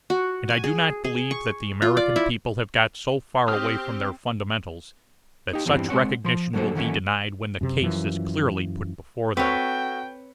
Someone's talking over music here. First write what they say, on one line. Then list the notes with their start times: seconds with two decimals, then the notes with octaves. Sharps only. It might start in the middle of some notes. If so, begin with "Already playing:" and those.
And I do not believe that the American people have got so far away from their fundamentals that such recognition will be denied when the case is clearly put before them.
0.10 F#4
0.50 G#5
0.64 G#4
1.04 G#4
1.31 C#6
1.82 F4
1.97 D5
2.16 E4
3.48 C4 G4 D#6 F6
5.53 D#4 G4
5.66 E2 G2 G3 C4 E4
5.89 G#3 C4 C#5 F#5
6.25 F3 C6
6.54 D3 F#3 A#3 A4 C5
6.75 D#3 E3 F#3 A3 A#3 C#4
7.61 F#2 C3
7.81 F#2 E3 F3
9.37 C4 F#4 A4 B4 C#5 G5